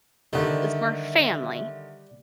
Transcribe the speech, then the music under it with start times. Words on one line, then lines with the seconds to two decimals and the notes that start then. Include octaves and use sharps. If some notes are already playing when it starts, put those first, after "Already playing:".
is for family.
0.33 D3 D#3 G3 E5